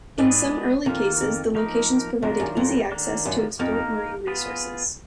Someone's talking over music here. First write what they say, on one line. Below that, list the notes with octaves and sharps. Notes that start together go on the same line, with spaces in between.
In some early cases the locations provided easy access to exploit marine resources.
G#2 G#3 B3 D4 G#4 B4
F2 D#3 A#3 F4
F2
F3 A#3 D#4 A#4
F2 D#3 F#3 D4 F4 A#4
F#2
F2
D#3 A#3 D4
F#2
F2 A#3 D#4 A#4
B3 F4 G#4 B4